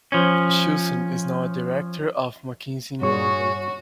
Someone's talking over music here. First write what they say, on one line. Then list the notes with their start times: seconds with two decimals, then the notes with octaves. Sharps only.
Shilson is now a director of McKinsey in London.
0.12 F3 C#4
3.02 G2 F#4 G#4 C#5 C#6